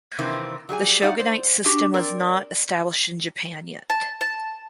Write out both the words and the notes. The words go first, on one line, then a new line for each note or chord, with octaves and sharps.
The shogunate system was not established in Japan yet.
C3 D#3 E3 A#3 C4
F#3 G3 G#4 G#5
A3 D#4 D5 F5 F#5
C5
D4 F#4 G4
C4 A#4 D5
A5
A5